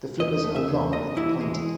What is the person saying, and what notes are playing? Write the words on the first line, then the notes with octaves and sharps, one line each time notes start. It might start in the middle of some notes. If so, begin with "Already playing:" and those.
The flippers are long and pointed.
E2 D#5
A3
E5
E2
D#2 D#5
E3 E4
G#3